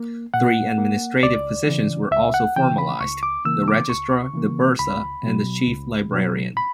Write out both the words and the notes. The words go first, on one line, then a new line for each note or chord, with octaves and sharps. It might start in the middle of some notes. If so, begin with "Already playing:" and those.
Three administrative positions were also formalized: the Registrar, the Bursar and the Chief Librarian.
Already playing: A#3
A#2 F#5
A#3
C#2 D5
C#3 E3
C#2 E5
F#5
C#3 E3 G5
B5
C#2 C#6
D6
C#3 E3 A#3 E6
D6
C#2 C#6
C#3 E3 A#3
C#2 B5
B2 F#3
C#2
B2 F#3
B5